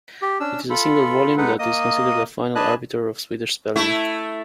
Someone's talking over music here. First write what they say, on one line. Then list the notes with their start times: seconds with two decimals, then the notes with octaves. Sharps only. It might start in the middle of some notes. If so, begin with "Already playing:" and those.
It is a single volume that is considered the final arbiter of Swedish spelling.
0.22 G4
0.40 C#4 D4 E6
0.70 F4 A4 B5
1.37 G#3 D#4 A4 B4 F#5
1.59 A#3 D#5 D#6
2.55 D4 B4 D#5 G#5 A5 F#6
3.76 A3 E4